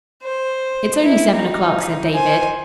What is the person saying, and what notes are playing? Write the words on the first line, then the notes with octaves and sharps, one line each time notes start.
"It's only seven o'clock," said David.
C5
E4
D#4
C5 G#5